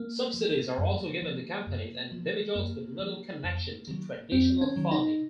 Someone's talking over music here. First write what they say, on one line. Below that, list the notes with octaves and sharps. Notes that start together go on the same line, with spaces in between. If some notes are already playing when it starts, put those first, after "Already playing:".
Subsidies are also given to companies and individuals with little connection to traditional farming.
Already playing: A#3
F3
F#2
F3
F#2
F3
F#2 A#3
F3
F2
D#3 F#3
F2 C4
C#4
D#3 F#3
D#4